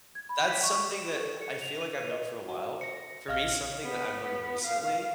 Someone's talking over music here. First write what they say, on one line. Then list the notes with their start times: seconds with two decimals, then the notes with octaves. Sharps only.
that's something that I feel like I've known for a while. For me, something that I've learned recently,
0.15 G#6
0.29 B5
0.47 B6
0.63 C#6
0.84 G4
0.98 E7
1.19 A4
1.41 C#7
1.61 F7
1.81 D#7
1.98 B4
2.11 D#5
2.49 F#4
2.81 C5 A#6 C#7
3.28 A#1 D#5 F5 F6
3.83 B3
4.65 F5